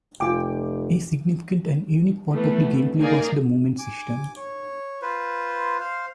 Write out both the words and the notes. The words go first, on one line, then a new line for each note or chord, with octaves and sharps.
A significant and unique part of the gameplay was the movement system.
F1 F4 G5 G#5 D6
E3 A3 B3
A#3 D#4 G#4 A#4 D5
G#5 D6
C#5
F4 B4 C5
C5 F5